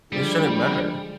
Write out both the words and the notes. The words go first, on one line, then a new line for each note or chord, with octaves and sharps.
it shouldn't matter.
D3 F3 G3 G#3